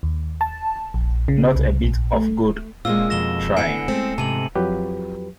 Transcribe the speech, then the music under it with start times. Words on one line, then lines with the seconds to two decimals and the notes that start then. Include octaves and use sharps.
Not a bit of good trying.
0.03 D#2
0.41 A5
0.94 A#1
1.28 C#3
1.55 C2
1.84 A#1
2.13 A3
2.85 A#2 G#3 A#3 C4 F4 E6
3.10 F2 B2 A#6 E7 G7
3.57 D3 B3 E4 G#5 C7 C#7
3.88 G#3 A3 C4
4.18 G#2 C3 A5 D#7 F#7
4.55 F2 F3 F#3 G4 B4